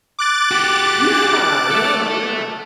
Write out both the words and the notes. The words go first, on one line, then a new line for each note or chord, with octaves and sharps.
Yeah, yeah, yeah.
D6 F#6 A6
F#4 G4
A4 E5